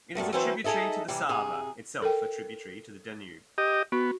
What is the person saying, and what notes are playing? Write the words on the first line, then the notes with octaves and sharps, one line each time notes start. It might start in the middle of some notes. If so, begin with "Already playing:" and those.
It is a tributary to the Sava, itself a tributary to the Danube.
F#2 G3 A3 B3
E3 F#3 C4 E4 B4 C5
D#4 G#4 A4 D#5 E5
C3 E3 G3
C3 G#4
A4 A#4 G5
G4 D#5
B3 F#4